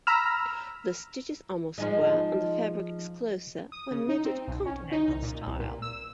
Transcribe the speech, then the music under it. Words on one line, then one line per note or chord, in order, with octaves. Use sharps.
The stitches are more square and the fabric is closer when knitted Continental style.
A#5 B5 E6 F6
F3 G#3 D#4
D#6
C#3
D#4
C4
B1
C#4
D#4
C2
A#2
C2
A#2
E6